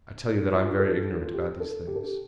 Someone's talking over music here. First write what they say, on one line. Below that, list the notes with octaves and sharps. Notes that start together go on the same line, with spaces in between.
"I tell you that I am very ignorant about these things."
F4
A4
F4
G4
A4
G4
A4
G4